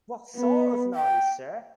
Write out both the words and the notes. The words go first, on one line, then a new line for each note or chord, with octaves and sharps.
What sort of noise, sir?
B3
G5